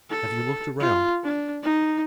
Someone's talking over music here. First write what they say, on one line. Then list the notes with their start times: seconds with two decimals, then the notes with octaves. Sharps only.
"Have you looked around?"
0.11 A4
0.80 F4
1.24 D4
1.63 D#4